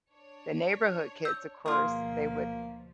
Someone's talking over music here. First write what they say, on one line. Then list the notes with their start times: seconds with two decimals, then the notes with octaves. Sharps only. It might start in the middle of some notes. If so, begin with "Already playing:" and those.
the neighborhood kids, of course, they would
0.13 D4 C#5
1.25 E6 G6
1.66 D2 B2 F3 A#3 F4 G#4